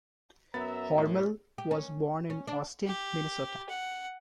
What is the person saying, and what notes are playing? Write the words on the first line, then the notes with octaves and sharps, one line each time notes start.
Hormel was born in Austin, Minnesota.
F#2 B3 E5 A#5 B5 A6
A2
G4
C#4
C#4
D4
G4
F#5